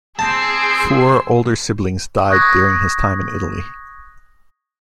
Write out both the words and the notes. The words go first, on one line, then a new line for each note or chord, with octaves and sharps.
Four older siblings died during his time in Italy.
C4 G#4 A5 C6 E6
C#6 D#6 F#6 G#6 A#6